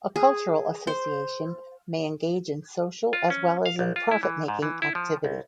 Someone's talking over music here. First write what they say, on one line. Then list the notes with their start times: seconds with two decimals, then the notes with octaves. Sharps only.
A cultural association may engage in social as well as in profit-making activity.
0.16 G#4
0.87 C5
3.13 F4
3.30 C#4
3.66 F5
3.79 A#1
3.96 F4
4.11 E4
4.23 E3
4.48 G#2
4.62 E3
4.82 E4
4.95 F3
5.24 C2